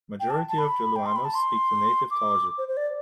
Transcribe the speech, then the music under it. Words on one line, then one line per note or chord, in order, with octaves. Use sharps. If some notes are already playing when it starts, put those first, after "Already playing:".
Majority of Joloanos speak the native Tausug.
G5
A5
A5
B5
G5
C6
B5
A5
C6
D6
C5
C5
D5